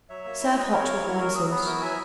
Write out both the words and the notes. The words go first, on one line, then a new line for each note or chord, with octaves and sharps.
Serve hot with wine sauce.
F#3 C#5 E5
A#3
E4
E5
F#3 B4 D#5
F#3 A#4 C#5
A#3
E4
F#3 F#4 A#4
F#3 G#4
B3 G#4
E4 F#4 A#4
F#3 E5 G#5